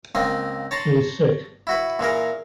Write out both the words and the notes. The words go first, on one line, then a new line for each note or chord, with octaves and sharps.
She is sick.
C#2 A#3 C4 D#5
C#5 A5 A#5 C6
E4 F#4 B4
A#2 E3 G#4 A#4